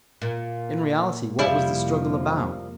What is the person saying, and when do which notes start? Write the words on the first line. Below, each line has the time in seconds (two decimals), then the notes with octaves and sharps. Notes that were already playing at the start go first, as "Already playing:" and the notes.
In reality, what was the struggle about?
0.22 A#2
1.39 F2 C3 F3 G3 A#3 E4